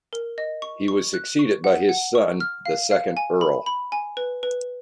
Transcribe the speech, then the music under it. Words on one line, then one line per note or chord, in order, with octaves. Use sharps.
He was succeeded by his son, the second Earl.
A#4
D#5
C#6
C#6
F#6
C#6
F#5
F#5
C#6
F6
F5
F5
G#5
B5
B5
G#5
B4
B4